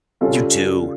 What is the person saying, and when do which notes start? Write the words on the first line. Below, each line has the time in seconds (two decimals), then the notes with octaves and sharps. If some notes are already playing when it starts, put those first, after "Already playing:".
You do.
0.21 C#3 G3 C#4 F4 A4